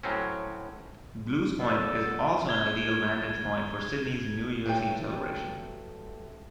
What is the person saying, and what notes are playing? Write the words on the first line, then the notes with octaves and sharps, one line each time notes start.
Blues Point is also an ideal vantage point for Sydney's New Years Eve celebration.
A2 F#3 C4 C#4
F#3 B3 A4 A#4 D5
G#6 G7
G2 F#3 A3 A4 G5